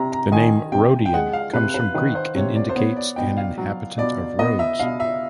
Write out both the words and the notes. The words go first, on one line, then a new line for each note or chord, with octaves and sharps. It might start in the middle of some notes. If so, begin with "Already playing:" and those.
The name "Rodion" comes from Greek and indicates an inhabitant of Rhodes.
Already playing: C3 A#5
A#5
D#3 G#5
C3 G5
G5
G#3 F#5
F5
C3 B4
B4
D#3 B4
C5
C3 C#5
D5
C5
B3 C#5
D5
B2 G5
F5
F#3
B2 D5
B3 D#5
E5
B2 F5
E5